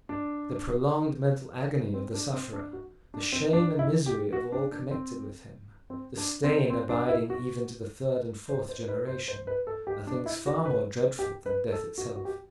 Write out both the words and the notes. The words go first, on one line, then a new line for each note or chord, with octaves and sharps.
The prolonged mental agony of the sufferer, the shame and misery of all connected with him, the stain abiding even to the third and fourth generation, are things far more dreadful than death itself.
D4
C4
D4
C4
D4
F#4
D4
C4
D4
E4
G4
F#4
D4
D4
C4
C4
D4
C4
C4
D4
E4
F#4
C5
C5
B4
C5
C5
B4
A4
G4
D4
E4
F#4
B4
G4
B4
A4
F#4
F#4
G4